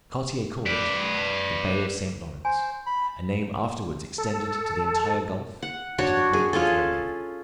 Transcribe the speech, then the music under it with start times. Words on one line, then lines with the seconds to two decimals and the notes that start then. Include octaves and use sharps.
Cartier called it the Bay of St. Lawrence,--a name afterwards extended to the entire gulf, and to the great river above.
0.66 B4 D5
2.45 C5 G#5
2.87 B5
4.18 A4
5.62 F#5
5.98 D4 F#4 C#5
6.33 G#4
6.53 C#4 F4 G#4 A4